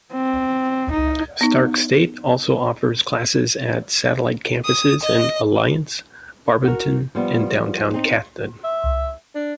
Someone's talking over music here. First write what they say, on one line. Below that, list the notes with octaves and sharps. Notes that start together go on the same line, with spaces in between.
Stark State also offers classes at satellite campuses in Alliance, Barberton and Downtown Canton.
C4
D#4
B3 D#4
D#6
D#5
F#4 A#4
F3 G3 B3
C4 D#4
E5
D4